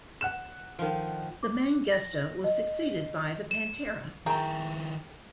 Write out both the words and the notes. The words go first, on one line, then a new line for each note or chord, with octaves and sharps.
The Mangusta was succeeded by the Pantera.
F#5 F#6 E7
D#3 F3
D6
A#6
D#5
E7
D#3 E4 G#4 A#4 G5 A#5 C#6